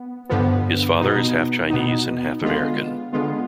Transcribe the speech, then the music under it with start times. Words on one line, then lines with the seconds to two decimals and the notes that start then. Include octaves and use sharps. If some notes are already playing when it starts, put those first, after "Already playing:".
His father is half Chinese and half African.
Already playing: B3
0.30 G2 D3 F3 B3
1.01 B2 B3 D#4
1.70 B2 B3 D#4
2.42 D3 G#3 B3 F4
3.13 D3 G#3 B3 F4